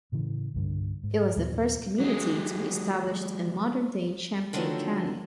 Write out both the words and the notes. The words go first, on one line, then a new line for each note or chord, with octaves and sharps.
It was the first community to be established in modern-day Champaign County.
A2 C#3 E3
C2 G2 D3
G#2
D#2 A#2 F#3 B3
F#3 G#3
D3 D#3 F3 F#3 A3 A#4